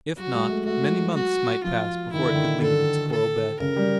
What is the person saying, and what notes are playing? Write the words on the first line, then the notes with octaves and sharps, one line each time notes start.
If not, many months might pass before it could leave its coral bed.
F#3 F#4
G#3
A3
A3 F#4
G#3
F#3
F#4
F3 F4
D#3 E4
D3
D#3
D3 A4
A4
C#3 A#4
G3